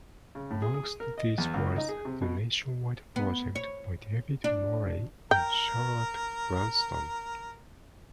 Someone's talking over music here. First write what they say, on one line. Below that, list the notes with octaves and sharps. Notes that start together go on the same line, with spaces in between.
Amongst these was "The Nationwide Project" by David Morley and Charlotte Brunsdon.
C#3
A2
G#4
G#4
A#4
D#5
E2
C#2
D#4
G#4
C3
B2
B3
C#5
D4
A#4 G5